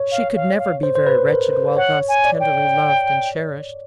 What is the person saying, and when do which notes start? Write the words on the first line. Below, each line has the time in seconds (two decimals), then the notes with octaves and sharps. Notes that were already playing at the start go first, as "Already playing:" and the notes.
She could never be very wretched while thus tenderly loved, and cherished.
Already playing: C#5
0.11 F5
0.35 F5
0.59 F5
0.83 C5
0.95 C5
1.07 B4
1.30 A#4
1.53 C5
1.77 C#5 F#5
2.08 G#5
2.25 D5
2.40 G5